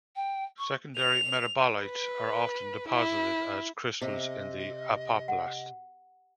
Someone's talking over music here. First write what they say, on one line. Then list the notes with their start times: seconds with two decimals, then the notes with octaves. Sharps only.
Secondary metabolites are often deposited as crystals in the apoplast.
0.16 G5
0.58 C#6
0.97 F7
1.78 B4
2.89 E4
4.01 C3 D#5
5.28 F#5